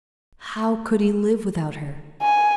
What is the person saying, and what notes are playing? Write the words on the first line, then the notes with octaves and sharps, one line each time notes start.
How could he live without her?
G#5